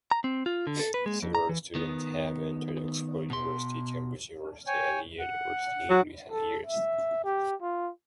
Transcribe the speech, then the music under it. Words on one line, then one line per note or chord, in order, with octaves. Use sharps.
Several students have entered Oxford University, Cambridge University and Yale University in recent years.
A#5
C4
F4
D3
A4
B4
G#3
F2
A#5
E3
D#3 B3
B2 C6
C#5 G5 G#5
F#5
F#3
A4
E5
G4
F4